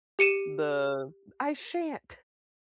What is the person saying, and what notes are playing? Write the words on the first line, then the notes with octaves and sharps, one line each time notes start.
the "I shan't,
G4 C#7 D#7 E7